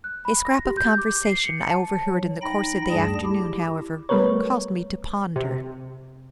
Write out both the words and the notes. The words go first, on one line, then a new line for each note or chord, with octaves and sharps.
A scrap of conversation I overheard in the course of the afternoon, however, caused me to ponder.
F#6
B5
A#6
G4
G6
D6
C7
C#7
A5
F#3
D#4 G5 B5 A#6
D2 G2 G3 G#4 A5 A#6
E4 G4
G3 A3 B3 A#4 B4 C#5
C3